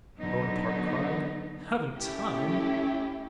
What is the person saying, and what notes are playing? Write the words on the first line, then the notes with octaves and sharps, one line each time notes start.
Bonaparte cried, 'Haven't time?
D3 F#3 B3 D#4
A3 C#4 E4 G4